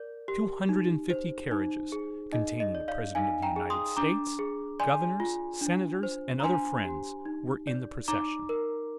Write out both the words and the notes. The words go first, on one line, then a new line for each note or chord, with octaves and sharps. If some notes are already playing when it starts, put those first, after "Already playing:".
Two hundred and fifty carriages, containing the President of the United States, governors, senators, and other friends, were in the procession.
Already playing: A#4 D5
G4
D#4
C5
D#4
G#4
D#4 D#5
D#5
D5
D5 F5
D#4 F5 G#5
G5 A#5
G#4
C6 D#6
D4 A#5 D6
G#4
D5 G#5 C6
F4
D4
C5
A#5
D4 G#5 C6
G4
D#4
D5
D#4 A#5 D6
A#4